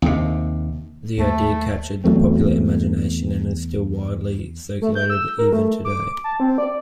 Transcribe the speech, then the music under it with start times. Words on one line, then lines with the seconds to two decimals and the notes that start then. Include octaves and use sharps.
The idea captured the popular imagination and is still widely circulated even today.
0.02 D#2 C3
1.18 D#2 A3
2.04 E2 F#3 A3 C4
4.82 A3
4.95 G6
5.10 E6
5.38 A#4
5.53 A3
5.85 D6
6.24 A5
6.40 C4
6.58 D5